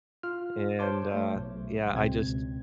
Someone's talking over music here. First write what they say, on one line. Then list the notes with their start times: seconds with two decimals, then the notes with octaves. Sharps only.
and uh, yeah, I just
0.23 F4 F6
0.79 C5 C#5 A5 C6 D6
1.14 A3
1.34 B1
1.92 C#2 B2 C4 G#6